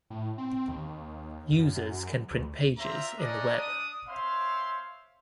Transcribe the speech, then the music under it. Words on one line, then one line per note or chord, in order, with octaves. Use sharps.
Users can print pages in the web.
A2
C4
D#2
F#2
D2
C4 F4 D5 E5 A#5
A3 C#4 D4 D5 D#5 A#5
D4 D#6
C4 C#5 E5 F5 C6